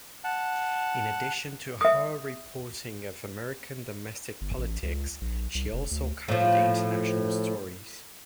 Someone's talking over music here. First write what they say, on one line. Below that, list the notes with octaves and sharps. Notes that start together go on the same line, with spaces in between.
In addition to her reporting of American domestic politics, she also covered international stories.
F#5 A5
E5 D#6
G1
A1
C#2
A#1
C2
F1
D2
A2 F3